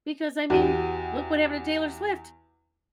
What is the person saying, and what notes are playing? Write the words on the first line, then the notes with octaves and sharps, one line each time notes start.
because I mean, look what happened to Taylor Swift.
E2 F#4 G4 D#7